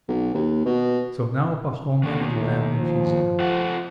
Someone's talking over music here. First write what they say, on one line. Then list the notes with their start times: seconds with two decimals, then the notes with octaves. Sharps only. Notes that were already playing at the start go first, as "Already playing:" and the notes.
So now Pahom had land of his own.
0.08 B1
0.34 D#2
0.65 B2
2.03 D3 D#3 A#3
2.34 A2
2.80 F3
3.40 F4 A4 F#5